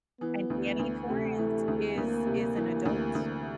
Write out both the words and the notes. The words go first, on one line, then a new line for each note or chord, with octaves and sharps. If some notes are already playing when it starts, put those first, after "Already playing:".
And Danny Torrance is is an adult.
E3 B3
D2
D2
C3 A3
E3
D2
D2 A#3
C3
E3
D2
D2